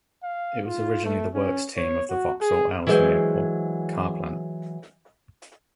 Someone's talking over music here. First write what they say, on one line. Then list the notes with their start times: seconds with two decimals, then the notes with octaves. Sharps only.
It was originally the works team of the Vauxhall Ellesmere Port Car Plant.
0.23 F5
0.66 F4
1.05 A3
1.34 C#4
1.76 C#5
2.10 F#4
2.41 G#4
2.87 E3 F#3 G#3 G#4 C5